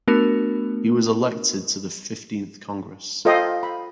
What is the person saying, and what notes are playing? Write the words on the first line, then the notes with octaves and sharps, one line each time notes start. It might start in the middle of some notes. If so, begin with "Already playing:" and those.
He was elected to the Fifteenth Congress.
A3 B3 D4 F#4 A#4
F4 A4 C5 D#5 F5 G5
B5